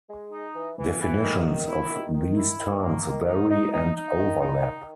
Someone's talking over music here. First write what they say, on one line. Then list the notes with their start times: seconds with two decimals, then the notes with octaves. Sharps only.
Definitions of these terms vary and overlap.
0.09 G#3
0.32 D#4
0.55 E3
0.78 E3
1.00 E3
1.22 D#3
1.45 D#3
1.68 E4
1.91 D#3
2.14 D#3
2.35 E4
2.59 D#3
2.81 A#3
3.04 D#3
3.27 D#4
3.49 D#4
3.72 D#4
3.95 D#4
4.17 D#3
4.40 D#4
4.62 D#3